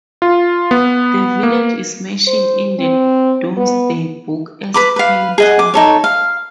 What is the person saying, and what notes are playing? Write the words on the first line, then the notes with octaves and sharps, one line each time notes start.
The village is mentioned in the Domesday Book as "Kington".
F4
B3
A#3
C5
C4
B3
B4 B5 D6
B4 F5
G#4 D#5 F#5
D6
D#4 A4 C#5
F5